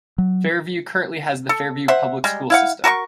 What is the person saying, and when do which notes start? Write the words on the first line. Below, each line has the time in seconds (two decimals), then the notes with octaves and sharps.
Fairview currently has the Fairview Public School system.
0.18 F#3
1.49 A4
1.88 C5 E5 F#5
2.24 G3 G#3
2.50 E4 F5 F#5
2.84 F#4 A#4 G#5 C#6